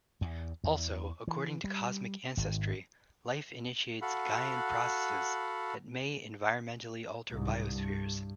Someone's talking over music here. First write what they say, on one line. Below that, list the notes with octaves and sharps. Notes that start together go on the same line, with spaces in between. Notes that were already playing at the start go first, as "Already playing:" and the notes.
Also, according to cosmic ancestry, life initiates Gaian processes that may environmentally alter biospheres.
E2
E2
E3
G3
G#1
F#4 A4 F5 F#5 B5
C2 G#2
G2